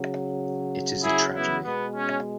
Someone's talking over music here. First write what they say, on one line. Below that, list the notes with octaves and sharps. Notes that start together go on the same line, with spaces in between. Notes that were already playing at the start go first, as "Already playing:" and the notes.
It is a tragedy.
Already playing: C#3 F#3
E4 G#4
B3 E4
B2 G#3 B3
C#4